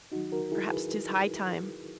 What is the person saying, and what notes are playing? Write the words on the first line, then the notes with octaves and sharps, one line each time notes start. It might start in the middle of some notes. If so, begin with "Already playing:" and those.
Perhaps 'tis high time.
D#2 D#3 F#3 D#4 F#4
F#4 A#4
E4 G#4
G#4 B4